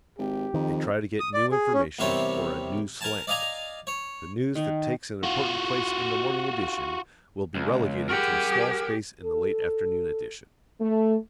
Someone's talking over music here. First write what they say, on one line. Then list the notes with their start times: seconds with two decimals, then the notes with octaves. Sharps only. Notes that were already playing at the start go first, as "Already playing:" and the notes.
They try to get new information, or a "new slant." The news that takes an important place in the morning edition will be relegated to a small space in the late afternoon edition.
0.19 G#1 G4
0.54 F2 D#3
1.20 D#6
1.34 D5
1.52 G#4
1.74 C#4
1.99 E2 C3 G3 C4 A#4 C#5
3.01 A#4 G#5 A5
3.27 D5 D#5 F5 G#5 A#5
3.87 C#5
4.55 D#3
5.23 F4 F#4
7.55 C#2
8.09 G4 G#4 A#4 F#5
9.23 A4
10.81 A3